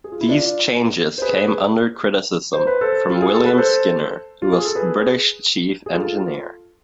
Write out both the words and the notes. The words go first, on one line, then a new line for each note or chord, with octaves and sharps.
These changes came under criticism from William Skinner who was British Chief Engineer.
G#4
F4
E4
D4 F4
C5
G#4 B4
C5
B4
A4 C5
F4
G#4
A4
B4
A4 C5
F4
G#4
A4
G#4 B4
G#4
F4 A4